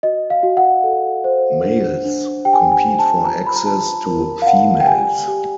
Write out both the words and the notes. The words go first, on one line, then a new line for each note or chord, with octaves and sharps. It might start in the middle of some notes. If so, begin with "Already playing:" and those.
Males compete for access to females.
F#4 D#5
F5
F#4
F#5
A4
C5
D4
D4
G4 G5
G#5
G5
G#5
C5
A5
F4 A#5
B5
A#5
F4 A5
A#4
F5
D5 F#5
G5
G4 G#5
G4